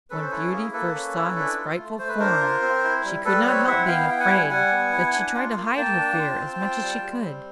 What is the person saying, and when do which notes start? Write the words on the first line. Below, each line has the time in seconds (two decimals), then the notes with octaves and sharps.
When Beauty first saw his frightful form, she could not help being afraid; but she tried to hide her fear as much as she could.
0.10 C#4 A4 B4
0.22 C5
0.31 E4 A4 B4
0.47 A4
0.52 A#3 G#4 A#4
0.73 A#3 A4 B4
0.94 C#4
1.16 E4
1.36 D4
1.57 F4
1.79 A3
1.99 A3 C5
2.09 B4
2.19 D4 A#4 C5
2.41 F4
2.62 C4
2.84 E4
3.04 G3
3.25 G3 A4 B4
3.46 C4 B4 C#5
3.67 E4 E5 F#5
3.87 B3 F5 G5
4.10 E4 G5
4.20 F#5 G#5
4.30 G3
4.50 G3 F#5 G#5
4.72 B3
4.92 E4
5.14 D4
5.35 F4
5.56 A#3
5.76 A#3 G5 A5
5.97 D4
6.19 F4
6.40 C4
6.60 F4
6.82 G3
7.02 G3
7.23 C4